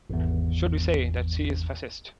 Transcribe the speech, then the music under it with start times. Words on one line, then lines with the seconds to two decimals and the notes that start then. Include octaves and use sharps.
Should we say that she is Fascist?
0.10 G#1 E2